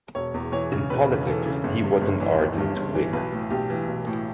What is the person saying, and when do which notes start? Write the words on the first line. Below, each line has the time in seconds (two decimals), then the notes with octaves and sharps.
In politics he was an ardent Whig.
0.15 E1 C#5
0.34 E2
0.52 E3 C#5
0.72 C#3
0.90 E1 B4
1.09 E2
1.27 E3 A4
1.46 C#3
1.64 G1
1.84 G2
2.01 G1
2.20 E3
2.39 G1
2.58 G2
2.76 G1
2.95 E3
3.13 B1 B4
3.33 A2
3.50 B1 G4
3.70 E3
3.88 B1
4.07 A2